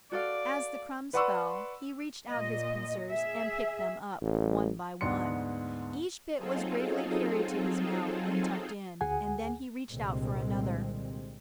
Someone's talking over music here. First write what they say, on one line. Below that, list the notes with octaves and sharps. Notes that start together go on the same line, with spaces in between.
As the crumbs fell, he reached out his pincers and picked them up, one by one. Each bit was gravely carried to his mouth, and tucked in, and then he reached out for another.
F#4 A4 D5 F5
B4 D5 F#5 C6 C#6 E6
A#2 D#5
G#4 E5
A1
D2 G#2 B3 D4 C6 C#7
F#3 C4 D#4 F4 G#4 A4
D2 G#4 F#5 G#5
C2 A#2 D3 G3 G#3 C4